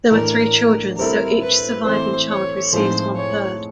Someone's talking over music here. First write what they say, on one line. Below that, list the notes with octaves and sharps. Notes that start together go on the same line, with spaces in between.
There were three children, so each surviving child receives one-third.
A2 E3 A3 D4 A#4
G3 C4 E4 A4 A#4
B4
E3 A3 C4 C5
C#5
A2 F3 G#3 C4 D#4 C5
C#5